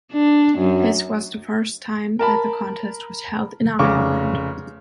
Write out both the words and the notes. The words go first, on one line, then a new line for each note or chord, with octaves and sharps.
This was the first time that the contest was held in Ireland.
D4
F#2
A#4 A5 B5
F1 C#3 C#6 D6